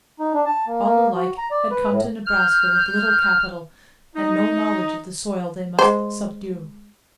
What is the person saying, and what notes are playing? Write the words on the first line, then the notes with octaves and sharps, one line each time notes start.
All alike had come to Nebraska with little capital and no knowledge of the soil they must subdue.
D#4
D4
A5
A#3
A#3
F#4
A#5
D5
B4
A2
F6 G6
D#4
G#3 C5